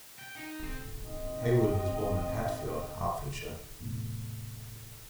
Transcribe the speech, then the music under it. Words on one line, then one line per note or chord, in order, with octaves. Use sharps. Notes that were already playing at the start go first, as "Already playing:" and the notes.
Haywood was born in Hatfield, Hertfordshire.
G5
D#4
C4
C4 D#5
E2 A2 C3